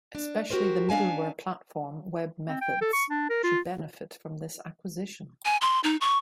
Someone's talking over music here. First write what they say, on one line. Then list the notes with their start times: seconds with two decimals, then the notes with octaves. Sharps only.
Especially the middleware platform WebMethods should benefit from this acquisition.
0.15 D4
0.50 F#4 G4 A#4 C5
0.89 C#4 D4 F5 G#5 A5
2.49 C4
2.61 G5
2.81 A4
2.93 C#6
3.10 D4
3.30 A#4
3.44 F4
5.45 G#5
5.61 C6
5.84 D#4
6.01 C#6